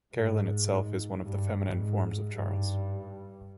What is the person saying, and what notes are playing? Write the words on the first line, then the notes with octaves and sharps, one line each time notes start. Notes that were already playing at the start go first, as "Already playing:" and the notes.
Caroline itself is one of the feminine forms of Charles.
G#2
G2
G#2
G2